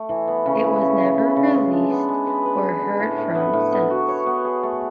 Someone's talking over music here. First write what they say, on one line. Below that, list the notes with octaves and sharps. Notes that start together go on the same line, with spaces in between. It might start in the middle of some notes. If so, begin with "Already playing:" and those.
It was never released or heard from since.
Already playing: A3
E3
B3
C#3
E4
C#3
C#3
C#3
C#3
G#3
D4
B3
G#3
B4
B4
B4
D3
A2
A2
B3
A2
B3
F#4
C#5
B3
G#4
A3